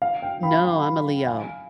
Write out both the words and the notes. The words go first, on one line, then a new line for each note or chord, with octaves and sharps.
No, I'm a Leo.
F5
G5
G5 B5
G5
F5 G#5